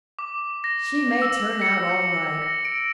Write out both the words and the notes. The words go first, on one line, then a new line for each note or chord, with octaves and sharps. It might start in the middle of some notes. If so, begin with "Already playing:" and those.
She may turn out all right.
D6
A#6
E6
C#7
A#6
D7